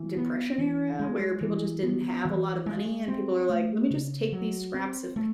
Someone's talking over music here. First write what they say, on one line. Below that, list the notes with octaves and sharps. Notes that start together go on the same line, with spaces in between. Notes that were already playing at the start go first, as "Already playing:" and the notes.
Depression era where people just didn't have a lotta money and people are like, "Let me just take these scraps of pa
Already playing: E3
B3
E3
G#3
E3
B3
E3
G#3
C4
A3
C#3
F#3
C4
A3